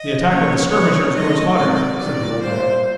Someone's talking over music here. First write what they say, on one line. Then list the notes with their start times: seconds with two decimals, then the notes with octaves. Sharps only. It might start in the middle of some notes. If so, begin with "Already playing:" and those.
"The attack of the skirmishers grows hotter," said the old man.
Already playing: D#5
0.28 C#3 F3 A#3 C#4 C#5
0.70 D3 F#3 B3 C#5
1.13 D#3 F#3 A3 C#4 D#5
1.56 C3 D#3 G#3 C4 D#4 D5
1.98 D#3 G3 B3 D5
2.41 A#2 G3 A#3 C5